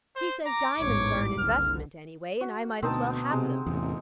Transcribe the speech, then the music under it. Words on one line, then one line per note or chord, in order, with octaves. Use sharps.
He says diamonds are an investment, anyway, and I might as well have them.
C5
A#5 D6
A1 E2 G#2 C#5
F#1 C2 D3 F6
F#4
D2 B2 C4 D#4 A5
C3 G#3
A1 E2 C3